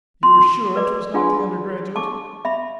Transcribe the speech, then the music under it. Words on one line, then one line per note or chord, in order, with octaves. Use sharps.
"You are sure 'twas not the undergraduate?"
C6
B4 D5 D6
D4 F4 G#4 F#5 C6
A5 C#6 D6
E5 B5